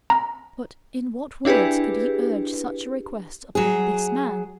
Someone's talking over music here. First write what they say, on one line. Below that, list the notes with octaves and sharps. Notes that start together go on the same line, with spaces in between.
But in what words could he urge such a request upon this man?
A#5
D4 E4 G4 G#4 B4
F#3 G#4